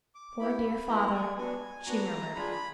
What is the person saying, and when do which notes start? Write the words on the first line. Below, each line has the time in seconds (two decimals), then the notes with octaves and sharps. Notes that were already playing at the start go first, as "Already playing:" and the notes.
"Poor, dear father," she murmured.
0.15 D6
0.39 B3 E4 G4 B5
0.88 B3 E4 G4 A#5
1.13 G#5
1.37 B3 D4 F#4 G#5
1.86 B3 D4 F#4 A#5
2.35 D4 F4 G#4 B5
2.51 B5